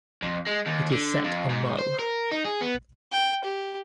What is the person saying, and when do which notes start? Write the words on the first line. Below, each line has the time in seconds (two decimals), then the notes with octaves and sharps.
It is set on Mull.
0.23 F2
0.46 G#3
0.66 D#2
0.91 D3
1.24 F2
1.49 G#2
1.79 C5
1.99 A#4
2.31 D#4
2.45 G#4
2.61 B3
3.12 G5
3.44 G4